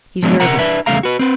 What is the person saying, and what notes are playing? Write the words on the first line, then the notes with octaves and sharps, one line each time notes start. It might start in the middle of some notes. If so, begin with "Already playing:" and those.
He's nervous.
F3 F#3 G#3 B3 D4
C3 A#4 F#5 A#5
D4 B4 E5
E2 C#3 G3 A3 F5 A#5
F#4 B4
C4 B4